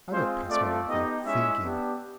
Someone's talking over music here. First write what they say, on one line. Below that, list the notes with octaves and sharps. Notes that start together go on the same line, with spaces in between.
"I don't pass my life in thinking."
G#3 C4 F4 C5
A3 C4 F4 D5
B3 D#4 G4 D#5
G#3 C#4 E4 E5
B3 D4 G4